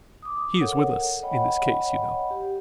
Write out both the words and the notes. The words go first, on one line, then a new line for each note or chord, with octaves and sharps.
"He is with us in this case, you know."
D6 D#6
A4 A#4 C#5 F#5
C#5 D#5 F#5 G5 B5
G4